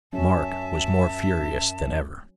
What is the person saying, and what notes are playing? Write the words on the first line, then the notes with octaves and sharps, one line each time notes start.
Mark was more furious than ever.
F#2 F#3 C#4 E5 A5